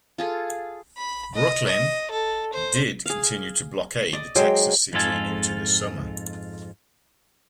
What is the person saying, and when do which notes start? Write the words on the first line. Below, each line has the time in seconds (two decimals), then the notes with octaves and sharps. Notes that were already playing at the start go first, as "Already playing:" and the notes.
"Brooklyn" did continue to blockade the Texas city into the summer.
0.18 F4 G#4 A4
0.97 B5
1.35 D#5
1.66 D#5
2.11 A4
2.53 C5
3.06 G#4 F5
4.13 D5 D#5
4.35 F#3 G#3 C5 G5
4.93 F2 G#2 G#3 F4 A4 G#5